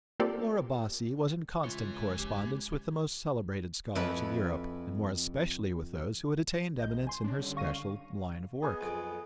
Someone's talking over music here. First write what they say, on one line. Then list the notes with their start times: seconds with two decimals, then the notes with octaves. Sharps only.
Laura Bassi was in constant correspondence with the most celebrated scholars of Europe, and more especially with those who had attained eminence in her special line of work.
0.20 A#3 C4 F4 G4 A4 D5
1.64 C#2 E3 F4 C#5
2.18 F1 G4
3.95 F2 E4 B4 G#5 B5
6.79 A#1 D#5 G6
7.07 G#5 C6
7.24 C#4 D4
7.38 D3 G3
7.57 F5 C#6 A#6 D#7
8.62 B3 G#4 D#5 G#5 D#6
8.81 B1 F2